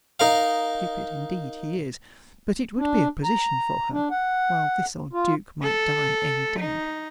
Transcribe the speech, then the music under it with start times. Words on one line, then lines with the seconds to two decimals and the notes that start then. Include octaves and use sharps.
Stupid, indeed, he is; but it would be a position for her, while this old duke might die any day.
0.20 D#4 A#4 F5
2.78 D4
3.24 A#5
3.92 D4
4.11 F#5
5.13 F4
5.63 A4
6.60 D#4